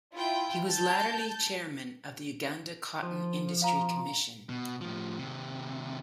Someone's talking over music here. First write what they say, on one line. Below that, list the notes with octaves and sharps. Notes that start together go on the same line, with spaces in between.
He was latterly Chairman of the Uganda Cotton Industry Commission.
E4 F4 G5
A5 G6
F3
F5 A#5
B2
A2 F3
D#2 C3